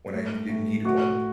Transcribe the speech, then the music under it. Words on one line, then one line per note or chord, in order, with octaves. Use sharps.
when I n did need one.
A2
A2
A2 F#4